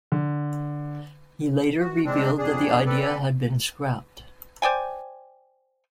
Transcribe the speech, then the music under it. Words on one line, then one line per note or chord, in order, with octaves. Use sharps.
He later revealed that the idea had been scrapped.
D3
F#4
G#3 C4 D4
F2 D4 G#4
C4 A4 B4 D5
C5 D5 G5 G#5